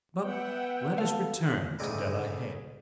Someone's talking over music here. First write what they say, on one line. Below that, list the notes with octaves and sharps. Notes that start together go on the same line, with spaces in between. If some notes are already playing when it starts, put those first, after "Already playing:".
But let us return to De la Haye.
B3 E5 F#5 G5
A4 F5
D2 A2 C#3 D4 D#4 G#5